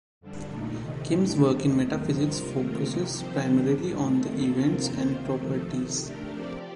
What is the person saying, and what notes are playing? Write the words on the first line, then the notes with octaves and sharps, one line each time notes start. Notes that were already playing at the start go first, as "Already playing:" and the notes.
Kim's work in metaphysics focuses primarily on events and properties.
F2 D3 G3 D4
A#2 A3 D#4
C3 D#3 A3
A2 A3 D4 G4
G2 D#3 A3
D#2 D#3 A3 D#4
G2 F3 C4 D#4
C3 G3 A#3 F4 A#4
D#3 A3 C4 F4 A#4
F2 C3 G3 A#3 D#4
F3 C4 G4 C5
D#3 G3 D4
A2 G3 D4
D#3 A3 C4
F2 D#3 A#3 F4 A4
C3 F3 C4 F4 A#4
F2 D#3 A#3 F4 C5
F2 C3 D#3 A3 C4
F3 A3 D#4 A4
F2 C3 D#3
A3 D4 G4 A#4
F3 C4 G4 D5